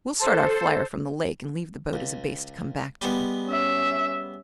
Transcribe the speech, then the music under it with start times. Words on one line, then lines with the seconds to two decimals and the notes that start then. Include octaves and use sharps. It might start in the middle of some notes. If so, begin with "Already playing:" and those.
"We'll start our flier from the lake and leave the boat as a base to come back to."
0.19 A4 C5
1.93 C#2
3.02 G3 G#3 B3
3.47 C#4 E5